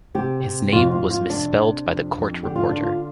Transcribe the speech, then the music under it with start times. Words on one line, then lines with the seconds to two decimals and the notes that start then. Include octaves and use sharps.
His name was misspelled by the court reporter.
0.15 C3 G4
0.43 C3
0.72 F2 F4
0.91 F4
1.01 F2
1.10 F4
1.29 C3 D4
1.58 C3
1.86 F2
2.15 F2
2.43 D3 G4
2.56 F4
2.69 D3 D4
2.82 F4